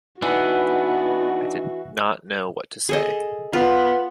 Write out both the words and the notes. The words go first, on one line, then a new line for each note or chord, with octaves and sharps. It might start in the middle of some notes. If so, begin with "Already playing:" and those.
I did not know what to say.
E3 B3 D4 D#4 F#4
G#4 A4 D#5
B3 F4